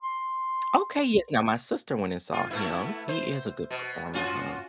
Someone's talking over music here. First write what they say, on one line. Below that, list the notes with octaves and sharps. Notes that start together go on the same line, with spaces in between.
Okay, yes. Now, my sister went and saw him. He is a good performer, huh?
C6
F4
A3 B3 E4
C5
B2
C#4 F4 F#4